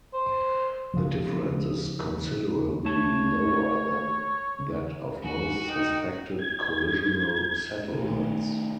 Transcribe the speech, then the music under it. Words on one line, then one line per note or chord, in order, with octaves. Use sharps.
The difference is considerably lower than that of most suspected collisional satellites.
C5
C#3 F3
A3 C#5 A5
F#4 G#5
D#4 G5
G#6
D#3 A3